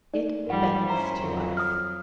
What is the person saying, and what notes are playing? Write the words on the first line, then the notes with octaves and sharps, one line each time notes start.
It beckons to us.
D#4 D5
G#2 F3 G3 A#4 F#5
C#4 E4 C5 A#5
F2 F#3
D#6 F6